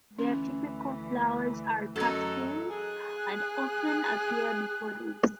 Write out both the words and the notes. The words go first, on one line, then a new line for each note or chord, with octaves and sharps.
Their typical flowers are catkins and often appear before leaves.
D2 E3 C#4
F#2 D#4 A4
G#4 F#6